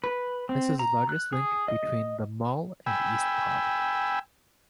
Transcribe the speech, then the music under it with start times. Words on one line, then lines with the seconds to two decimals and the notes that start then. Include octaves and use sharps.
This is the largest link between the mall and east Cobb.
0.04 B4
0.49 C4
0.79 A#5
1.09 F#6
1.33 G#4
1.68 D#5
2.86 G5 G#5 B5 E6